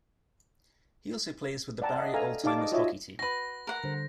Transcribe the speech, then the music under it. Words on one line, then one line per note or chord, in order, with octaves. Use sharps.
He also plays with the Barrie Oldtimers Hockey Team.
D5 F#5 G5 A5 A#5
D#5 E5 F#5
A4 D#5 F5 G#5 A#5
D#4 G4 D5 F5 A5 D6
D#5 D6
F4 F#4 C#5 D#5 E5
F#4 B4 A#6
A#4 F#5
D3 G3 C5